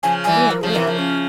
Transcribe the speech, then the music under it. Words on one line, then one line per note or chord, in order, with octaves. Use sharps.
Where, where?
C#3 F3 G#5
E3 G3 G#5
A#4
C#3 F3 G#4
C3 E3 A#4
C#3 F3
C#4